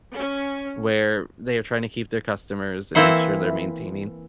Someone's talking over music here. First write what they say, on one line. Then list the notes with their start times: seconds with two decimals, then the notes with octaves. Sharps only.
where they're trying to keep their customers, and make sure they're maintaining
0.13 C#4
2.95 E3 A#3 C4 E4 C5 F#5